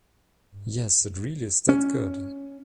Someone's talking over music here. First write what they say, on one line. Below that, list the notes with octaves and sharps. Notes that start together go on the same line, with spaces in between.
Yes, it really is that good.
C#4